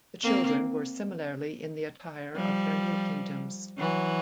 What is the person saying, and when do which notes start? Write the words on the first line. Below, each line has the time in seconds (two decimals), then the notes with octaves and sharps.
The children were similarly in the attire of their new kingdoms.
0.23 A#3 C4
2.36 F3 G3
3.78 E3 F#3